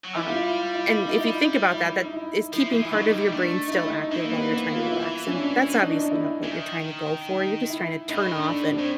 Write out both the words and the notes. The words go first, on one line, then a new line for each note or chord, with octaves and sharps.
um, and if you think about that, that is keeping part of your brain still active while you're tryna relax, and that's obviously not what you're tryna go for, you're just tryna turn off and
F#3
G3 E4
F4
E4
E4
E4
D#4
E4
E4
D#4
E4
F3 E4
E3
E4
F#3 D#4
G#3
G3
A3 D4
D#4
E4
D#4
E3 D#4
A#3
B3
B3
F4
E4
C#4
D4
D4
D#4
D4
D#4
E4
E3
D#3
D#4
E4
A2 D#4
D4
D4
A2 C4